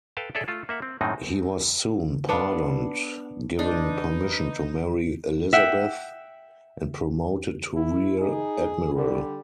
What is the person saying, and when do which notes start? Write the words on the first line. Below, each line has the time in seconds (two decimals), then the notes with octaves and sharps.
He was soon pardoned, given permission to marry Elizabeth, and promoted to Rear Admiral.
0.17 A4 B4 F5 G5 A5
0.35 G#4 A4 C#5 D5 E5
0.48 A3 F4 A4
0.69 A#3 E5 F#5
0.82 C4
1.01 F#2 A2 D#3 G#3 C4 D#4
2.29 B3 D4 F5
3.59 D4 D#4 B4
5.53 E5 F#5 G5
7.74 E4
8.20 D#4 G#4
8.95 D3 G3